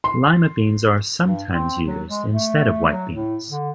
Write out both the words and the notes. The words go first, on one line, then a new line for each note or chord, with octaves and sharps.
Lima beans are sometimes used instead of white beans.
C6
G2
C4
F#3
G#3
A3
F#3
A2
D3